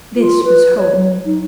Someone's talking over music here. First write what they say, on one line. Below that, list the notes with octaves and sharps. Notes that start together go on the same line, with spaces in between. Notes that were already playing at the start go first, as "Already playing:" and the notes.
This was Hope.
F4
B4
C#5
F#3
D#4